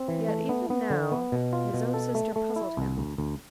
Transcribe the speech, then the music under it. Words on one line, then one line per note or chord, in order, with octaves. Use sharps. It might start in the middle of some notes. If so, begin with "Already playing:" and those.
Yet even now, his own sister puzzled him.
Already playing: C4
E3
A3
B3
B3
D3
B3
B2
F4
B2
A4
A3
A3
E4
C2
D2
D2